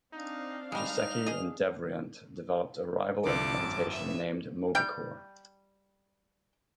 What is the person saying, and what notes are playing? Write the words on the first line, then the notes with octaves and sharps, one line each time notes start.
Giesecke and Devrient developed a rival implementation named Mobicore.
C4 D4 D#4 F5
G3 G#3 D#4 F6 F7
G#4 D#5
C2 D3 F3 A5 D6
G#1 F#2
B4 E5
G3 G5